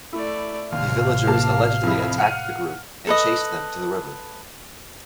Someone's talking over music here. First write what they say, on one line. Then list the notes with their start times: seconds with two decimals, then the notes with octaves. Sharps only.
The villagers allegedly attacked the group and chased them to the river.
0.13 A3 E4 D5
0.72 A1 D#2 C3 F5
1.27 A#3 F4 A5
1.83 F2 E4
2.18 F#5 F6 D#7
3.07 A4 B4 D#5